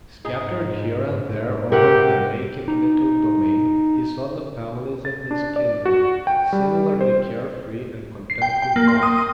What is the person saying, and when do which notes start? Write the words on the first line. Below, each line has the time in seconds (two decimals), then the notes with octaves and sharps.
Scattered here and there over their naked little domain he saw the families of his kindred, similarly care-free and content with life.
0.25 G#2 D#4 G#4
1.72 C3 G4 A#4 F#5
2.68 D#4
5.05 A6
5.31 D4
5.56 D5
5.86 F#4
6.27 G5
6.53 G3
7.01 C5
8.30 C7
8.42 G5
8.62 G5
8.76 A#3
8.88 C6
9.03 D#6
9.18 D#6